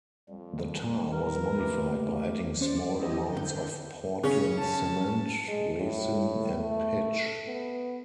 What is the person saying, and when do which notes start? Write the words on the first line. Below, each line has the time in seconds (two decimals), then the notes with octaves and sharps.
The tar was modified by adding small amounts of Portland cement, resin, and pitch.
0.29 F2 G3
1.11 A#4 B4
1.60 A3 G4
2.61 C#4 C5 D5
2.94 E4 G4 D#5
3.25 D3 G6
4.23 C#3 C#4
4.58 A5
5.48 G#3
5.77 A2
6.59 A3
7.46 B3